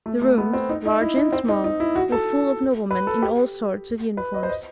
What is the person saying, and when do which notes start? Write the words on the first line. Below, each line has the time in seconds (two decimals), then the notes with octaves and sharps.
The rooms, large and small, were full of noblemen in all sorts of uniforms.
0.06 A3
0.22 A3
0.38 B3
0.53 C4
0.69 D#4
0.85 D#4
1.01 E4
1.16 D#4
1.33 C4
1.48 D#4
1.64 D#4
1.80 E4
1.96 F#4
2.12 A4
2.91 B4
3.07 A4
3.22 G4
4.17 B4
4.34 D#5
4.43 C5
4.49 D#5